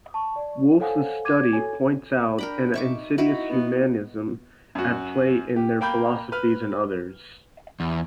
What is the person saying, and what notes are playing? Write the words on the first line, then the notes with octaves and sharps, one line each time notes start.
Wolfe's study points out an insidious humanism at play in their philosophies and others.
A5 C#6
D5
A4 C5 C#5 F5 F#5 G#5
D6 G#6 D#7
F#4 A4 C#5 G#5
D4 A#4 G5 B5
D#4 E5 C#6 D6
D#4 E4 F#4 B4
B3
F#2 F#4
G4
A#3 G5 B5 G6
B4 F6
E2